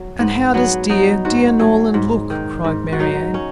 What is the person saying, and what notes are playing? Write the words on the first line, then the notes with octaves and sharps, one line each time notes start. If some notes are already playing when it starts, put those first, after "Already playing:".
"And how does dear, dear Norland look?" cried Marianne.
Already playing: F#3
G#2 B3
F#3 B3
F#3 D#4
G#2 F#4
F#3 G#4
G#2
D#3
G#2
F#4
F#3 D#4
C#4